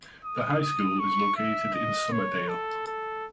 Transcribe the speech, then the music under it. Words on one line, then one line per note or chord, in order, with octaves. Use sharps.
The high school is located in Somerdale.
D#6
D#6
C#6
E5
D#5
C#5
A4
A4